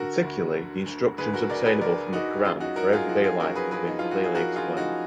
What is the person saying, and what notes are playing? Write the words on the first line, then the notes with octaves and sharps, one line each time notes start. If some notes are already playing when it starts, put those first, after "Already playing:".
Particularly the instructions obtainable from the Qur'an for everyday life have been clearly explained.
Already playing: D3 F#4 A#4
D2
D3
D2
D2 G#4 B4
F#4 A#4
D2 A#4 D5
G#4 B4
D2 A#4 D5
D3 D#4 F#4
F#2 F4 G#4
D#4 F#4
F#2 F#4 A#4
F4 G#4
F3 D#4 F#4
F4 G#4
F#2 F#4 A#4
G#4 B4
F3 G#4 B4
D#4
F3 F4
F#4
G#4
F3 F#4 A#4
F4 G#4
F3
D#4 F#4